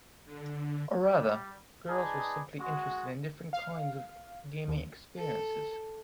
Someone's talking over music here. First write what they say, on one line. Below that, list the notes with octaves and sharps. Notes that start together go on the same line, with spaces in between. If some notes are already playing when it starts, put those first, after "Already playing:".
Rather, girls were simply interested in "different kinds" of gaming experiences.
D3
G3
D#4 G#4 B4 D5 A5
G#3 F#4
F5
D#2
A4